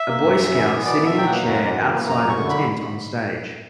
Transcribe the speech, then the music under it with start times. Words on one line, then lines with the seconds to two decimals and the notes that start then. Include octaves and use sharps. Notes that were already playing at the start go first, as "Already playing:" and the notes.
A boy scout sitting in a chair outside of a tent on stage.
Already playing: E5
0.08 A#3
0.23 F#2
0.39 F#2
0.54 E3
0.70 B3
0.85 B2 D5
1.01 B2
1.06 E5
1.16 F#3 G5
1.26 A#3 F#5
1.47 F#2 F#5
1.62 F#2
1.78 E3
1.93 A#3
2.09 F#2 A#5
2.24 F#2
2.29 C#6
2.39 D3
2.50 B5